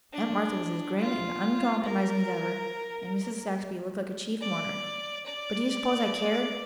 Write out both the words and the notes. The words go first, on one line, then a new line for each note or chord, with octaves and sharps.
Aunt Martha was as grim and uncompromising as ever, and Mrs. Saxby looked like a chief mourner, but do you suppose I cared?
D4
F4
A#4
D5
D5